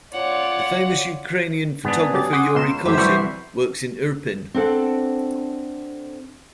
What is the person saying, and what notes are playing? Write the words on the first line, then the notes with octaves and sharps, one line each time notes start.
The famous Ukrainian photographer Yuri Kosin works in Irpin.
F4 C#5 D5 F#5
G#2 B3 D4 G#4
F#3 G4 A6
F#5 C6 D6 D#6
C#2 B2 C6 E7
E3 F#3 A3 G4 C5 E5
C2 E3 B5 C#6 C7
C4 D4 A4 F#5